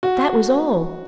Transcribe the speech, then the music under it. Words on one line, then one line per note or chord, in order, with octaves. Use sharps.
That was all!
F#4